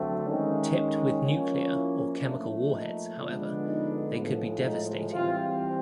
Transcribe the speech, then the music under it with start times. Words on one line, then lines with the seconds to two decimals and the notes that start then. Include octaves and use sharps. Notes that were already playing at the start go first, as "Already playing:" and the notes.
Tipped with nuclear or chemical warheads, however, they could be devastating.
Already playing: D3 F#3 A3 C4
0.25 D#3 G#3 C#4 D#4
1.22 F3 A#3 C#4
1.71 E4
2.20 A#2 F3 A3 D4
2.68 D#4
3.17 D3 F3 G#3 B3 D4
3.66 D#4
4.15 A2 F3 G#3
4.64 D#4
5.12 E3 G3 C4 F4